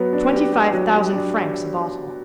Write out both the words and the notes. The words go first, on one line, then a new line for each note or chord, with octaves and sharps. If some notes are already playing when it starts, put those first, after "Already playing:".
"Twenty-five thousand francs a bottle."
Already playing: F#3 B3
D4
G4
G4
F#3
G4
D4